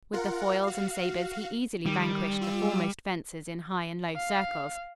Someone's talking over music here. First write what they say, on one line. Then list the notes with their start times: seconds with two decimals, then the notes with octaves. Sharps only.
With the foils and sabers he easily vanquished the foremost fencers in high and low circles.
0.13 F4 A#4 F#5
0.63 F#4 F5
1.86 D#3 G3
2.41 F4 E6
4.16 F5